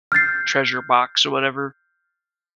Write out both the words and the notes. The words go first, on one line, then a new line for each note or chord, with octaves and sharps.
treasure box or whatever.
F6 G6 A6 C7